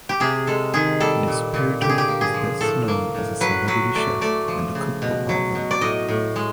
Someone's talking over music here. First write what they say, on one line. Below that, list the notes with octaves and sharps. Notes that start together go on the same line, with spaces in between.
DiSpirito is best known as a celebrity chef and a cookbook author.
G4
C3 G#4
G#3 A4
D#3 G#4
G3 A4
A#2
A#2
D3 G4
G#4
G4
A#3
G#4
F3
A2 A4
A#3
A2
F#3 B4
F#3 B4
A3 D5
A3 D5
F3
C#3
B2
F#3
B2
D5
A2 D#5
A2
G#3